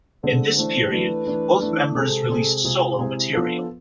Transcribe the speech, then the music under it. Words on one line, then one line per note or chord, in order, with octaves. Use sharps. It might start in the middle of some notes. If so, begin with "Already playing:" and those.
In this period both members released solo material.
D3 G#3 C4 A4
E3 A3 D4 C5
E3 A3 D4 B4
E3 A3 D4
E3 A3 D4
C3 G#3 C4 G#4 A4
C3 G#3 C4 G#4
C3 G#3 C4 F4 G#4
C3 G#3 C4 E4 G#4
F3 B3 D4 F4 A4